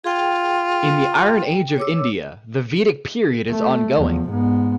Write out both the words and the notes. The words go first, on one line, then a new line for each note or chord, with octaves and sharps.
In the Iron Age in India, the Vedic period is ongoing.
F4 G#4 G5
C#5 D6 E6
A3
E2 F3
G#2 B3